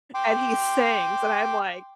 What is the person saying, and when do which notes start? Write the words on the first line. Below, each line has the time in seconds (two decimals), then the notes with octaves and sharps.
and he sings, and I'm like,
0.14 G5 C6 D6